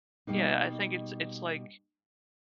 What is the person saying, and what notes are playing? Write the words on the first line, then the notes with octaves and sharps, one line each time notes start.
Yeah, I think it's it's like,
B2 G3 A#3 D#4